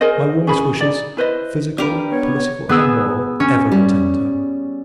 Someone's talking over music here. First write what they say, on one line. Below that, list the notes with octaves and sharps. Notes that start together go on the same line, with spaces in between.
My warmest wishes--physical, political, and moral--ever attend her.
G#4 A#4 C5 D#5
C#4 G#4 B5
D#4 D5
E4 B4 C5 D#5
F3 D4 G4 A#4 B4
B3 C#5
B3 G#4 E6
C#4
G3